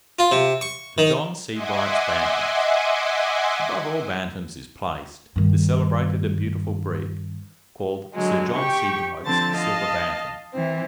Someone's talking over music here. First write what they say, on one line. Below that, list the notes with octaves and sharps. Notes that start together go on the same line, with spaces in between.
SIR JOHN SEBRIGHT'S BANTAMS.--Above all Bantams is placed, the celebrated and beautiful breed called Sir John Sebright's Silver Bantams.
F4
C3
C#6
D#3
D#5 E5 F#5 G#5 C6 D6
G2 D#3
D3 F#3 G#3
G4 G5 C#6
D3 F3 C4 A5 A6
D#5 F5 A5
E3 C4